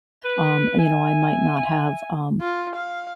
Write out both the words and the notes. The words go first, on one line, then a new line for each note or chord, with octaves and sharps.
um, you know, I might not have, um,
B4
E5 G#5
F4
F5